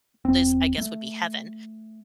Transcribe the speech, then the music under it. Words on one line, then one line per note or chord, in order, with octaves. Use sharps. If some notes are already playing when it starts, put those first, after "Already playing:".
this, I guess, would be heaven.
E1 C4
A3